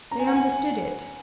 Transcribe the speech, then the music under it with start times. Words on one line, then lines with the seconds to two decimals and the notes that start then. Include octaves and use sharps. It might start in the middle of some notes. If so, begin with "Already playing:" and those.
They understood it.
0.11 C#4 A#5
0.19 G#5
0.27 F#5
0.36 G#5